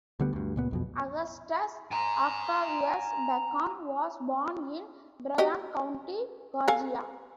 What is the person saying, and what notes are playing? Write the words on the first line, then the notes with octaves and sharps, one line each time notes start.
Augustus Octavius Bacon was born in Bryan County, Georgia.
D2 D3 G3 B3
D2 G2
C#2 A#2 B3
B1 F2 B2
G#5 A#5
F#4 G4 D#5
A4 F5 G#5